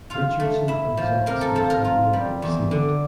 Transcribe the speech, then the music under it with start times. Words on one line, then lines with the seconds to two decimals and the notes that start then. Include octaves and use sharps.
Richardson and his officers and men were saved.
0.10 F4 F5
0.40 A3
0.68 E4 E5
0.97 F3
1.26 C3 A#4
1.41 A4
1.55 F3 A4
1.70 A#4
1.85 F4
2.13 G3
2.42 E2
2.71 D3